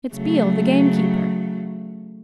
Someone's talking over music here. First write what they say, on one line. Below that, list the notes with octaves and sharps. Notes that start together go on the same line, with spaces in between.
It's Beale the gamekeeper.
C#3 F#3 A3